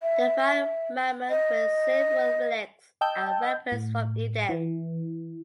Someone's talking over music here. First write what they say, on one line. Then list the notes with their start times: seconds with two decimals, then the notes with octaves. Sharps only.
They find Mammon with several relics and weapons from Eden.
0.03 E5
1.30 D#5
3.01 D#5 G5 A5 E6 G6
3.72 A2
4.49 E3